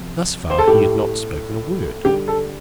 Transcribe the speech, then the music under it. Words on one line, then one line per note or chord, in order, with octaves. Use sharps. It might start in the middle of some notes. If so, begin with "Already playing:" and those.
Thus far he had not spoken a word.
Already playing: C3 F3
C5
A4
A2 A3 G4
D3 G3 G4
A4